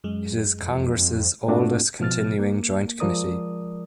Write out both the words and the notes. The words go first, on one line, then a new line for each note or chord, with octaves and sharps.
It is Congress's oldest continuing joint committee.
F#2 G#3
F2
G#2 A3 C4 D4 F4 F#4
B2 F3 F6 A6
A#3
F3 G#3 A#4 D5 D#6